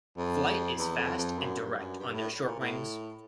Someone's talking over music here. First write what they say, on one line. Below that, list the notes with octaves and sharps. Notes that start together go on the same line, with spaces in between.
Flight is fast and direct on their short wings.
F2
E2
F2
F2
F#2
G2
F#2
G2
A2
A#2
A2